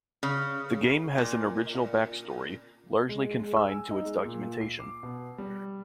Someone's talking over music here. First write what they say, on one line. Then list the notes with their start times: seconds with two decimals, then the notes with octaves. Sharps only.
The game has an original backstory, largely confined to its documentation.
0.23 C#3
1.18 A#2
3.09 G#3
3.39 G#3
3.57 E6
3.71 G#5
3.91 D#4
4.05 G#3
4.25 A#2
4.61 C7
4.79 D6
5.03 B2
5.38 G3